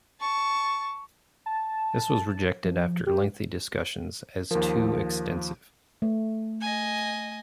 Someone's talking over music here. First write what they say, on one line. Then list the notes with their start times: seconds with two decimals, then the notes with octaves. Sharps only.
This was rejected after lengthy discussions as too extensive.
0.20 A5 C#6
1.46 A5
2.64 F3
3.06 G4
4.51 D#2 F3 A#4
6.02 A3
6.62 D#5 G#5